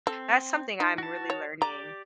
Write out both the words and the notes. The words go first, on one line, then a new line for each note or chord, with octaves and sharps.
that's something I'm really learning.
C4 A4
D#4
F#4 A5
C#5
G4 D5 A#5 D6